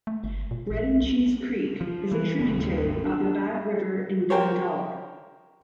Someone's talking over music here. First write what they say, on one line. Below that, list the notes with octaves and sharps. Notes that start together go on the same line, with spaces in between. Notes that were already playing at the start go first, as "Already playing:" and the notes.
Bread and Cheese Creek is a tributary of the Back River in Dundalk.
A3
G1
A#2
A1
C2
F3
E3
F#1
D#2
G#1
D4
G4 A#4 C5 C#5